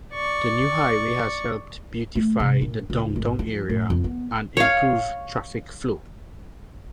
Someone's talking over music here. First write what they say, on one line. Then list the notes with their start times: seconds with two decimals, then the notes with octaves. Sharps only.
The new highway has helped beautify the downtown area and improve traffic flow.
0.13 D5 C#6
2.15 A3
2.40 C3
2.62 A#2
2.90 C#2
3.16 G#1
3.39 F3
3.69 A2
3.90 F2
4.04 B3
4.57 C#5 F5